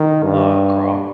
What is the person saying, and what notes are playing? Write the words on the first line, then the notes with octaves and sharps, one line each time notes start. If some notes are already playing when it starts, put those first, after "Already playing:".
uh, crop,
Already playing: D#3
G2